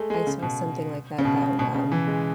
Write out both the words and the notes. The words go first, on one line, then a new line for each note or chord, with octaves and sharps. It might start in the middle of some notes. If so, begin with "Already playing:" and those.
I saw something like that about, um
Already playing: G#3 A3
G#3
C#3
B2
C#3
B2
C#3
B2
C#3
E3
G#3